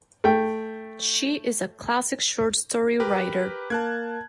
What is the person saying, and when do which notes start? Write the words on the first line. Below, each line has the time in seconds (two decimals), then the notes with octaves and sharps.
She is a classic short story writer.
0.24 A3 G5
3.00 G4 A#4 B4
3.70 A#3 A5 F#6 G#6